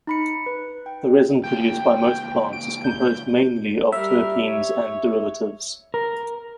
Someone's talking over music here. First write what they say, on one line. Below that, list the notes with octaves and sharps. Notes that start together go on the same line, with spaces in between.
The resin produced by most plants is composed mainly of terpenes and derivatives.
D#4 B5 C#7
B4
G5
C#2 A#3 G5
D7
G6
G3 A#4 E5
C#5
A#4